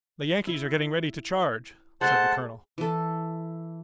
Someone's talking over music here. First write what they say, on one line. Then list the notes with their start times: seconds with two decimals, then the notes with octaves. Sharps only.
"The Yankees are getting ready to charge," said the colonel.
0.47 E4
2.01 G#3 A3 C5 F#5 A5 C6
2.78 E3 A4